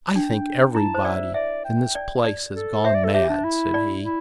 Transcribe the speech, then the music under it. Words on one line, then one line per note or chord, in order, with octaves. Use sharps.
"I think everybody in this place has gone mad," said he.
D4 G5
E4 A5
C5
D5 E5
D5 E5
G5
D5
D5
A4
C5 E5
D5
A4
G4 E5
D4
E4
D5
E4